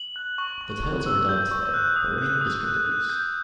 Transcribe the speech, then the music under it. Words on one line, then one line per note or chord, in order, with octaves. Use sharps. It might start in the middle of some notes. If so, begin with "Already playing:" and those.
The titles are redundant today but remain in descriptive use.
Already playing: F#7
F#6
C#6
C#6
C#6
E6
G6
C#6
F#6
D#6
F#6
D#6
F#6
F#6
G6